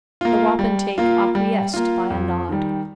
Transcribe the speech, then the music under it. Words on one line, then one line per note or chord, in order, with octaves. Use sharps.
The wapentake acquiesced by a nod.
A#3 F4
G3
A#3 F4
G3
A#3 F4
F2
D#3 G3